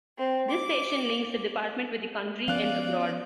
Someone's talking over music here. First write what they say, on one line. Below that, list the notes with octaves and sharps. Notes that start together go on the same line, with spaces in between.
This station links the department with the country and abroad.
C4
D6
F3 B3 C#4 D5 F5 F#6